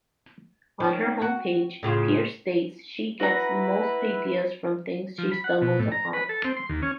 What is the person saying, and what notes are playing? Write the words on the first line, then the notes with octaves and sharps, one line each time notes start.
On her homepage, Pierce states she gets most ideas from things she stumbles upon.
D#3 C#4
F#4
A2 C#3 F4
E4 F#4 B4 A#5
F3
B5
F#5
B2
A2
A#5
B4
A4
C4
C6
D#2
C#4